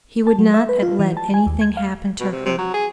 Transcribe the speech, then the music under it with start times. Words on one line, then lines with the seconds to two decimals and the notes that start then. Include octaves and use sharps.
He would not let anything happen to her.
0.27 A5
0.39 F#3
0.54 E5
0.69 B4
0.82 F4
0.99 E3
1.17 A5
1.34 G#5
1.46 D#2
1.61 G#6
1.77 F5
2.20 B2
2.32 C3
2.46 C3
2.58 F#3
2.74 G#4